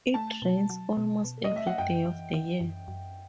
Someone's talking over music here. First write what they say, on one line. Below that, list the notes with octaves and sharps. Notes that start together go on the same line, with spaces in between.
It rains almost every day of the year.
A3 A5
B2
F#3
B2
B2
D#5
A3 E5
F#5
F#2 G5
E3
E3
F#2
F#2